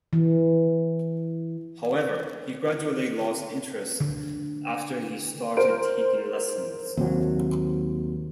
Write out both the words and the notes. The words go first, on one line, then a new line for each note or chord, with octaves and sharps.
However, he gradually lost interest after he started taking lessons.
E3
D3
A#4 C5 D7
D#2 C3 F#3